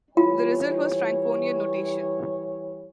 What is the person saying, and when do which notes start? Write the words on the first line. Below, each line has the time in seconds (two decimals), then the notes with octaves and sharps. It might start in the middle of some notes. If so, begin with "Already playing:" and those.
The result was Franconian notation.
0.17 E3 G3 F4 C#5